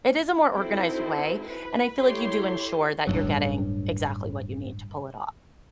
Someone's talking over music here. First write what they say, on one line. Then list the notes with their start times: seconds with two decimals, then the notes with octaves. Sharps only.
It is a more organized way, and I feel like you do ensure that you're getting exactly what you need to pull it off.
0.53 C4 D#4 E4 F#4 A4 C5
1.47 B4
1.99 E4 G4 A4 C#5 C6
3.07 D1 A#1 G2 F#3